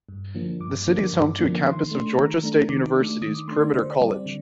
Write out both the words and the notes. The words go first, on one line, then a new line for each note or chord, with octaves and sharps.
The city is home to a campus of Georgia State Universities Perimeter College.
G2
D3 F3 A#3 D4
G2 D6
D3 F3 A#3 D4
G2
D3 F3 A#3 D4
D#3 C6
A3 D4
D#3 A#5
A3 D4
D#3 D6
A3 D4
D#3 D#6
D6
A3 D4 C6
D5
D3 C5
D5
G3 C4
D5
D3